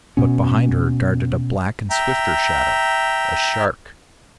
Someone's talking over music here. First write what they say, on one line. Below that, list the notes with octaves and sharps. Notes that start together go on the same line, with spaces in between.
But behind her darted a black and swifter shadow--a shark!
B2 B3 C#4
E5 G5 A#5